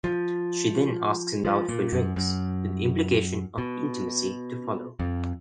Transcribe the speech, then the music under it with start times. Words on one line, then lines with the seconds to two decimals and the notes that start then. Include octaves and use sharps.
She then asks him out for drinks, with the implication of intimacy to follow.
0.04 F3
1.45 F3
1.69 A#2
1.92 F#2
2.16 F#2
3.58 B2
4.99 F2